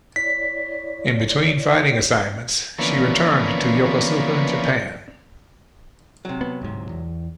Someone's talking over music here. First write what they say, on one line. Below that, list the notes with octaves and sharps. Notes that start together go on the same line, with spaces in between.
In between fighting assignments, she returned to Yokosuka, Japan.
E4 C#5 D5 B6
D3 E3 F3 A#3 B3 C#4
C3 F#3
B3
D1 G#2
E2